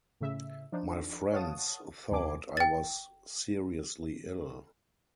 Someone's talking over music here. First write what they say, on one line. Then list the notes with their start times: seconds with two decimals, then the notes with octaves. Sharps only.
My friends thought I was seriously ill!
0.21 A2 C#3 E5
0.72 F3 D4 D#4
1.32 C#5 F5 F#5 A5 D#6
2.11 D#2 C3 G#5 D6
2.57 G5 A6